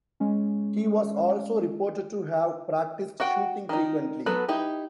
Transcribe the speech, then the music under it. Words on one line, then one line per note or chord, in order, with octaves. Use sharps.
He was also reported to have practiced shooting frequently.
G#3 C#4
F#4 F#5 G5
D#3 D#4
F#3 B3 A4 B4
D#4 E4 G4